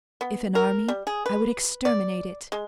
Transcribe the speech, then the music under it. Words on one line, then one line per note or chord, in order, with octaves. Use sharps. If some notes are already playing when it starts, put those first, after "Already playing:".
If an army, I would exterminate it.
B3
A#4
G3
G#4
B4
D5
G#3